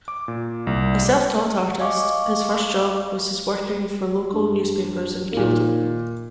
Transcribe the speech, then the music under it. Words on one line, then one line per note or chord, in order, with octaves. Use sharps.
A self-taught artist, his first job was as working for local newspapers in Kyoto.
D6
A#2
C2
D#5 F5 G#5 C#6 D6
G2
A#2 D#3 A#3